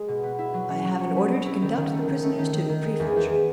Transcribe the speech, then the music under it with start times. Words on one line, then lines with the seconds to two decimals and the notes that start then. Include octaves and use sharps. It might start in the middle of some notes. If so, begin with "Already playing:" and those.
"I have an order to conduct the prisoners to the prefecture."
Already playing: G#3
0.08 B2
0.23 B3
0.39 E4
0.54 F#3
0.70 C#4
0.85 F#3
1.01 C#4
1.16 E4
1.31 C#4
1.46 E4
1.62 D#3
1.77 D#3
1.93 A3
2.08 D#3
2.23 A3
2.39 D#3
2.54 D#3
2.69 D#3
2.84 G#3
3.00 E2
3.16 E2